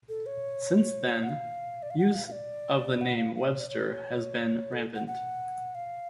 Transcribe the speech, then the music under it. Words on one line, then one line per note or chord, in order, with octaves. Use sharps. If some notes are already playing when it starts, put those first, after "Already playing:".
Since then, use of the name "Webster" has been rampant.
A4
C#5
F#5
F5
D5
F5
F#5
F5
F5
D5
F#5
F5
F5
D5
C#5
D5
C#5
A4
F#5
F#5
F5